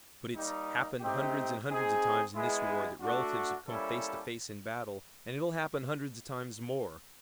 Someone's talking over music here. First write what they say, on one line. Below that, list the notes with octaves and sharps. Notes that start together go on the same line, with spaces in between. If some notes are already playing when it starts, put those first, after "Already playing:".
But it's happened hundreds and hundreds of times in this war that relatives have come face to face in battle, and it'll happen hundreds of times more.
G3 A#3 D#4
A3 C4 D#4 G4
C4 D#4 G#4
G#3 B3 E4 G#4
A3 D4 F#4
G3 A#3 C#4 E4 A4